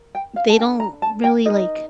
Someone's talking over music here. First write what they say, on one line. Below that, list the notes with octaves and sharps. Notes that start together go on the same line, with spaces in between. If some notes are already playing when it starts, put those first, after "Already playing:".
they don't really like
Already playing: A#4
G5
F5
A5
D4 A4 G5
A#5
A5
G5
D#4 A#4 D#5